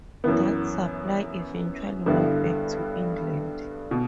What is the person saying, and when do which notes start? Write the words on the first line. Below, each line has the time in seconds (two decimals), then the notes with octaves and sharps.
That supply eventually went back to England.
0.24 F#2 E3 B3
2.06 G2 D3 G3 B3 E4
3.91 B2